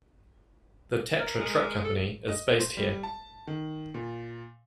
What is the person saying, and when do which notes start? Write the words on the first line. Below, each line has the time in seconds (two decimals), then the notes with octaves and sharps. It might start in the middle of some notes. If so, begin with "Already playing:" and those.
The Tatra truck company is based here.
1.19 A#4
1.40 G#3
1.85 A4
2.28 D#5
2.60 C5
2.77 G3
3.03 A5
3.47 D#3
3.94 A#2